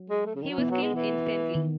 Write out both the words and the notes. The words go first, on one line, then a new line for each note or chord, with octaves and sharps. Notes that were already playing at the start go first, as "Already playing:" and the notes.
He was killed instantly.
Already playing: F#3
G#3
A3
C#3
D#3
F#3
E3 B3
F#3
G#3
E3
D#3